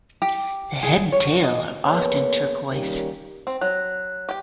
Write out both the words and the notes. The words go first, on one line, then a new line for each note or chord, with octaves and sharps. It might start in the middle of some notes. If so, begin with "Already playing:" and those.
The head and tail are often turquoise.
G4
G#4
C#5
D#5
A#3 B3 G#4 B4 C#5
D#3 G3 A#3 C#4 G4
C4
F#3 F#6
G4 G5